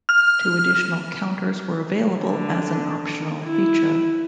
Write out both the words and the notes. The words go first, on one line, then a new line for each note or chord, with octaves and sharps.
Two additional counters were available as an optional feature.
F6
D3
E4